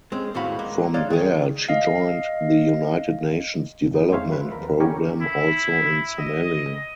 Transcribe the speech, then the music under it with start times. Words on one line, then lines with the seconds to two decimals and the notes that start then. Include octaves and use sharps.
From there she joined the United Nations Development Programme also in Somalia.
0.12 G#3 C4 C#4
0.34 D#2 A2 C4 F#4 F5 B5
0.59 G#3 A#3
0.94 G#3 C#5 D5 F5
1.10 D#3 G#4
1.69 D#5 F5
3.91 F2 D#4
4.11 G#3 C4 C5 C#5 E5 F5
4.29 F#3 B4
4.52 D#2 F3 A#4 B5
4.80 D3 C#4 G4 A#4 G#5 C#6
5.21 E4
6.18 D#5